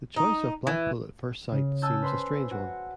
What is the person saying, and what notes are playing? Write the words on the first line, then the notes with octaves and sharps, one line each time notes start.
The choice of Blackpool at first sight seems a strange one.
D#4
E3
C#3
G#5 A5 E6 F6 G6
B4 C5 B5 C6
F#4